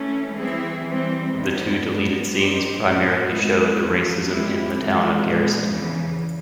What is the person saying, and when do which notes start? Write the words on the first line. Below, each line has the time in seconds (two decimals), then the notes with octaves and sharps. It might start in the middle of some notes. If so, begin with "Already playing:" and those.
The two deleted scenes primarily show the racism in the town of Garrison.
Already playing: E3 A3 C#4
0.36 E3 G3 C4 E4 G#4
0.85 E3 G3 C4
1.33 E2 C3 D#3 G3 B3
1.82 A#2 F3 G#3 B3
2.31 G3 B3 D#4 G4 C5
2.79 A2 F#3 A3 C4
3.29 D#3 G#3 B3
3.77 E2 C#3 F3 A3
4.25 G#3 B3 E4 G4
4.74 C3 E3 G#3
5.24 A#2 F3 G#3 B3
5.71 E2 C#3 E3